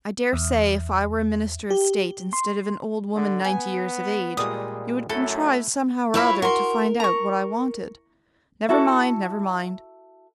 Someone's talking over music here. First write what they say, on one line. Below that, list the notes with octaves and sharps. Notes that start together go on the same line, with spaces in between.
I dare say if I were a minister of state, instead of an old woman ninety years of age, you would contrive somehow or other to find out what I wanted. Never mind, never mind.
E2
G4
C6
D3
B3 G#5
A#2 G3 G#3 D#6
F#2 A3 E4 A4 F#5
E4 F4 B4 C#5 E5 B5
F#4 A#4 C6
A#5 C#6
E4 F#4 A4